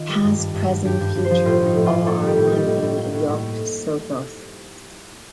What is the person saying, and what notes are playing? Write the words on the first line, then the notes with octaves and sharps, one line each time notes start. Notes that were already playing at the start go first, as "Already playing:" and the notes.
Past, present, future, all are one in Yog-Sothoth.
Already playing: D#3 D#4 F4
G3
G2
G2
G2
G2
G2 G4
G2
G2
C5
F3
A2 F4
A2
D#4
A2
A2 F4
A#3 A4
G3
G4
A2
D#4
G3
A2
A2
A#3
A2
A2